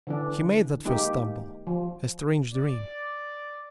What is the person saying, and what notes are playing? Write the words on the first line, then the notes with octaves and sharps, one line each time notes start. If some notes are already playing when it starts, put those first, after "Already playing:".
He made that first stumble, a strange dream.
D3 E3 D4
G#3 A#3 D#4 G4
F3
D5